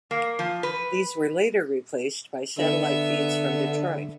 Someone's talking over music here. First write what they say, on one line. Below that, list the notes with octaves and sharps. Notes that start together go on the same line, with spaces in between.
These were later replaced by satellite feeds from Detroit.
A#3
F3
B4
D3 B3 E5